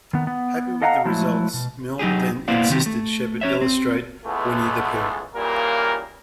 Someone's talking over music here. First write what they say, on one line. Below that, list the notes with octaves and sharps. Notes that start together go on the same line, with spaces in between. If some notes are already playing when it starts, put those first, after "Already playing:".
Happy with the results, Milne then insisted Shepard illustrate "Winnie-the-Pooh".
D#3 B3
B3
A4 D#5 F5 F#5 A#5
F3 F#3 G#3 A3 E4
B2
F#3 D#4 G4 G#4
A#3 B3 E4 C5 D5 F5
C2 D#3 C4 G4
A3
C#4 C#5 E5
C4
C#2 E3 G#3 A3 B3
A#2 C#3 E3 G3 A#3 A#4